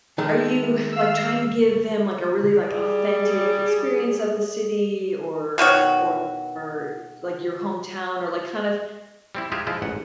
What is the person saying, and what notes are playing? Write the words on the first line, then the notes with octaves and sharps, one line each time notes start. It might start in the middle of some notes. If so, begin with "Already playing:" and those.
are you, like, trying to give them, like, a really, like, authentic experience of the city or or, like, your hometown or, like, kind of
D#3 G#3 A3
F5 E6
G3 G#4
B2 D#3 F#4 C#5
G3 C4 E4
G#3 D#4 F4 G4 G#4 E5
F3 G#3 E4 F4
A1 G#2 F#5